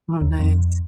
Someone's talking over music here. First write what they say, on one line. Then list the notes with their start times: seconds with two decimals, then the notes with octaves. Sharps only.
Oh, nice.
0.21 D#2
0.39 F2